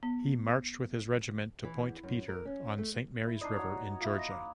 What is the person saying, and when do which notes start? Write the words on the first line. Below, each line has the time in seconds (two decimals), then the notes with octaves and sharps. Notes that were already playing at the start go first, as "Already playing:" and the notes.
He marched with his regiment to Point Peter on Saint Mary's River in Georgia.
0.03 B3
1.64 E3
1.82 E2
2.03 F#2
2.28 A#4
2.45 C#4
2.78 A3
3.27 E4
3.41 D4 D#4 D5 D#5 C7
3.56 F#4 C#5
4.00 A#3 F4 E5 B5
4.17 D#5 A#6
4.31 D6